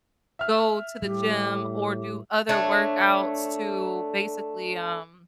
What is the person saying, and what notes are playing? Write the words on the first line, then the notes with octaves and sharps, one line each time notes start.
go to the gym or do other workouts to basically, um,
E5 F6
A2 G3 G4
A3 D4 C#5